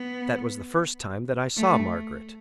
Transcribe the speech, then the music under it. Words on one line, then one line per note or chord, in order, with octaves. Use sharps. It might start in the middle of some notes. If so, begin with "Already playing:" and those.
That was the first time that I saw Margaret.
Already playing: B3
A3